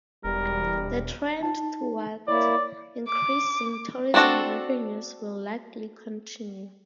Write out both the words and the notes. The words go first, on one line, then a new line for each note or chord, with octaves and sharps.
The trend toward increasing tourism revenues will likely continue.
E1 G3 A#4
D#4 A5
A#3 E4 C#5 D5
D6
B3 C4 D4 F#4 A4